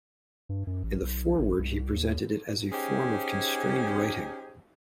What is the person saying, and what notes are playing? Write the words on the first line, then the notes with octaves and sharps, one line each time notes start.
In the foreword he presented it as a form of constrained writing.
G2
F#2
A1
B1
A1
C2
D#2
C#4 D#4 G4 G#4 C5